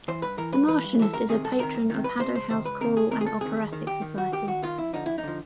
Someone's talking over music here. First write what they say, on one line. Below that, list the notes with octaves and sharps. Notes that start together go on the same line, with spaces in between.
The Marchioness is a patron of Haddo House Choral and Operatic Society.
E3 C5
G2 B4
E3 A#4
G2 B4
E3 B4
G2
E3 A4
C2 A#4
C3 D#3 G#4
C2 A4
C3 D#3 A#4
C2
C3 D#3
C2 B4
C3 D#3 C5
C#2 C5
C3 D#3 C5
C#2 B4
C3 D#3 A#4
C#2 G#4
C3 D#3 A#4
G#4
C#2 A4
C3 D#3 G#4
D#2
D#3
D#2 G4
D#3
D#2 F#4
D#3 G4
D#2 F#4
D#3 F4
F2 E4
D3 F3 D#4
F2 E4
D#4
D3 F3